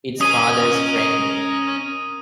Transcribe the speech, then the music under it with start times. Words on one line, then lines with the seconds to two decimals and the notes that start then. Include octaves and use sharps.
It's father's friend.
0.21 C#4 A#4 D#5 G#5 D#6 D#7